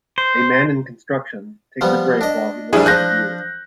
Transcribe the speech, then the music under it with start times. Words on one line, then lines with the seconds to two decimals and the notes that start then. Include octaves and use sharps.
A man in construction takes a break while he looks at the view.
0.18 C5
1.81 F3 G3 B3
2.21 D4 D#5
2.73 A#1 G3 D4 E4 G#4
2.86 F3 D4 F#6 G6 A#6